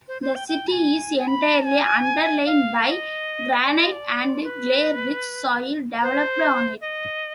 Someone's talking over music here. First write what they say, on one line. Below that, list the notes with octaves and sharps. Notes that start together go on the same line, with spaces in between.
The city is entirely underlain by granite, and clay-rich soil developed on it.
C5
C5
G5
G5
B5
G#5
G#5
B5
G#5
F5
F5
D#5
D5
D#5
D5
B4
C5
D#5